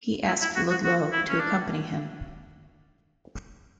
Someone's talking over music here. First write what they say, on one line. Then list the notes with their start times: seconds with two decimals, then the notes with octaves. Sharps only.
He asked Ludlow to accompany him.
0.28 E4
0.42 E4
0.56 F#4
0.70 F#4
0.84 F#4
1.12 E4
1.29 C#4
1.40 D4